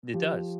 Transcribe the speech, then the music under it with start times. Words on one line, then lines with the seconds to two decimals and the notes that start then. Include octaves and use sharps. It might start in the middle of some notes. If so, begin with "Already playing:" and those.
It does.
0.14 F3 G4